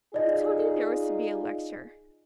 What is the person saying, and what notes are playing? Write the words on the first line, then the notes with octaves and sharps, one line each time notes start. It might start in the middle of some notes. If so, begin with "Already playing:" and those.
"Who told you there was to be a lecture?"
D#4 F4 G#4 D5 D#5